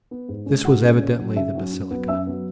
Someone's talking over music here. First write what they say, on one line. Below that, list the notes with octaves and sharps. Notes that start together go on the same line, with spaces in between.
This was evidently the basilica.
B3
G#2
G#3 C#4
G#2 F#4 F#5
G#3 C#4
C#3 C#5
F#3 C#4
C#3 E5
F#3 C#4
F#2
F#3 B3
F#2 E5 E6
F#3 B3